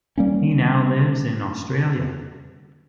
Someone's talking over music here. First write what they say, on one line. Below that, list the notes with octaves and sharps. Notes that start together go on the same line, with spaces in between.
He now lives in Australia.
G3 A#3 C#4